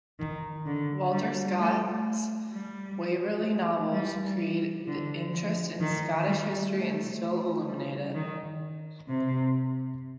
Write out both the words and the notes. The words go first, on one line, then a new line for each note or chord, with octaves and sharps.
Walter Scott's Waverley novels created interest in Scottish history and still illuminate it.
D#3
D3
G3
A3
G3
G3
D3
F3
D#3
G3
A3
G3
D#3
C3